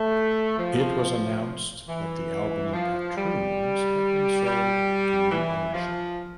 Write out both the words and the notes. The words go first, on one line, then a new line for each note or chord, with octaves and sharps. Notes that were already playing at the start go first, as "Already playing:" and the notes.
It was announced that the Albany Patroons had been sold to new ownership.
Already playing: A3
F3
E3
F3
G3
G3
E3
F3